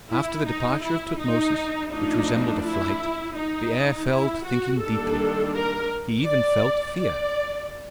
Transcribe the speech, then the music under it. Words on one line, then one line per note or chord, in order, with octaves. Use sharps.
After the departure of Tutmosis, which resembled a flight, the heir fell to thinking deeply; he even felt fear.
E4
D#4
E4
D#4
F3 A3 D4 D#4
E4
D#4
E4
F#4
D#3 G3 A#3 D4 A4
A#4
D5
D5